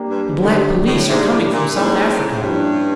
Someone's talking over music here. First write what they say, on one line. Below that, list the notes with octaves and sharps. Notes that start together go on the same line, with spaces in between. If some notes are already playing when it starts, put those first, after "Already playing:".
The Black Police are coming from South Africa....
Already playing: A#3 D4 G4
G2
G#2
G#2 D3 F#3 A3 D4 G4
A2
G#2 A#3 D4 G4 C5 E5
A2
A#2
G#2 A#3 C#4 E4
A#2
A2
G#2
G2 F3 A#3 C#4 E4 G4